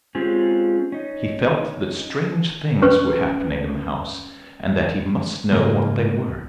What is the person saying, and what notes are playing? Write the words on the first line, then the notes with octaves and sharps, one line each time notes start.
He felt that strange things were happening in the house and that he must know what they were.
G#3 C4 C#4 F4 G4 G#4
C#4 D#4
C#4 B4 C#6
G#2 C#3 A#3